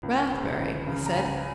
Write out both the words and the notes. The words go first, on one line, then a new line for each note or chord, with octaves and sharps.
"Rathbury!" he said.
C#2
C#3
C#2
C#3
A#5
C#2 G#5